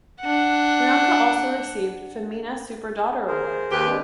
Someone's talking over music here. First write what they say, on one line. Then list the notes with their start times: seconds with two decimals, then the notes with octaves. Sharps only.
Priyanka also received "Femina Super Daughter Award".
0.21 D4 F#5
3.27 G#4 A#4 C5
3.71 D#2 G4 B4
3.85 G#3 C4 D4